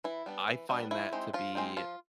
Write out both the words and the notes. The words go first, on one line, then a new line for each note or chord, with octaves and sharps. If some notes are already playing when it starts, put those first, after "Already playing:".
I find that to be
E3 E4
G3 B3 D4
E3
G3 B3 D4
F3 E4
G#3 C4 D#4
F3 F4
G#3 C4 D#4
F3 F4